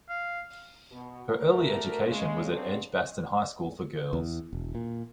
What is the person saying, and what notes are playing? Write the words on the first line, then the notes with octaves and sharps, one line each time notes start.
Her early education was at Edgbaston High School for Girls.
F5
B2
D2 A3 A#4
C#3 G#3
C#3 F#3 B3 C4 D4
E2
E1
A#2